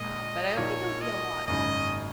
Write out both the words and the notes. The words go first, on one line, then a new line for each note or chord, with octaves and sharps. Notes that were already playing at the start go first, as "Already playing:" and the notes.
um, but, I don't think it would be a lot.
Already playing: A#1 A#2 G#3 D#5
A#1 A#2 F3 A#3 D#4 C#5
D#5
G#1 F#2 C#3 G#3 D#4 D#5